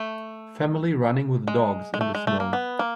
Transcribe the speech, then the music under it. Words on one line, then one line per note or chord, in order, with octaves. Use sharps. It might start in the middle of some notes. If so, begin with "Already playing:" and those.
Family running with dogs in the snow.
Already playing: A3
G#3
G#3
A3
G#3
A3
A#3
B3
A#3